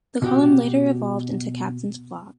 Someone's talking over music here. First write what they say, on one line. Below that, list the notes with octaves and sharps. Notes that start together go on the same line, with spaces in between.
The column later evolved into Captain's Blog.
B2 F#4 G4